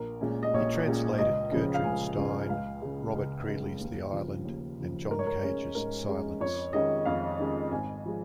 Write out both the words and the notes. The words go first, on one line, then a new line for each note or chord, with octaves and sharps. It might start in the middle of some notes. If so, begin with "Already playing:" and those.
He translated Gertrude Stein, Robert Creeley's "The Island", and John Cage's "Silence".
Already playing: A#1 A#4
A#2 G#3 C#4
D#5
A#1 C#5
A#2 G#3 C#4
C#2 D#5
C#3 F3 G#3 C#4
F5
C#2 G#5
C#3 F3 G#3 C#4
C#2 F5
C#3 G#3
C#2
C#3 G#3
D#2
C#3 F3
D#2
C#3 F3
G#2 A#4
C#5
A#4
G#3 C#4 C#5
G#2 A#4
G#3 C#4
F2 C#5
D#3 G#3 C#4 D#5
F2 F5
D#3 G#3 C#4
G#1 G#5
F3 G#3